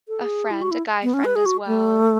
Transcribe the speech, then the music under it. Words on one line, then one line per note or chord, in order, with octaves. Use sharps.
a friend a guy friend as well
A4
G#4
E4
F#4
E4
B3
C#4
B4
G#4
F#4
A3